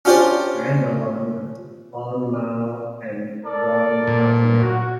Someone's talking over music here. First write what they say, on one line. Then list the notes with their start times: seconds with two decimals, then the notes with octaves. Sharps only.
Randulang, Long Mio and Long Pasia.
0.05 C#4 D4 F4 G4 C5 D5
3.45 A4 A#4 D5
4.07 A#2
4.59 F#4